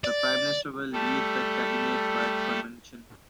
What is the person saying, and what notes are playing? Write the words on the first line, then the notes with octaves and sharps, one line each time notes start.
The Prime Minister will lead the Cabinet by convention.
D5
G3 A3 A4